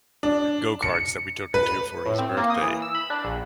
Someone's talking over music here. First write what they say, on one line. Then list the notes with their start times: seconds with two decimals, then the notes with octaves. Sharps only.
go-karts that we took him to for his birthday.
0.23 D4
0.83 C#7
1.54 B4
2.06 A2
2.19 C4
2.37 A#3
2.50 D#6
2.62 E3
2.82 E6
2.95 B5
3.10 D4
3.24 A#1